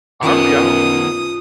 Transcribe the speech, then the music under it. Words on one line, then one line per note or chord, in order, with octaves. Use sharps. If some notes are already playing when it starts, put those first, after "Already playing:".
RnB, I don't
F#2 D#3 B3 F4 D#6